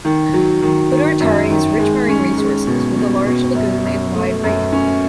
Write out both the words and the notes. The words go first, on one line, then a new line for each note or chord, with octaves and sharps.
Butaritari has rich marine resources, with a large lagoon and wide reef.
D#3
F#3
D#3
D#3
F#2
D#3
G#3
C#4
G#3
B2
B2
B2
F#2
F#2
A3
F#2
C#4